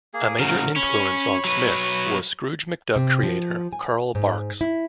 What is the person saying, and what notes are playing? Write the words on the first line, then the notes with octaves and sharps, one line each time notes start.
A major influence on Smith was Scrooge McDuck creator Carl Barks.
A#3 G#4
A2 C#3 F#3 A#4
C#4 C#5 B5
F#3 B4
C3
F3
G#5
G#2
E4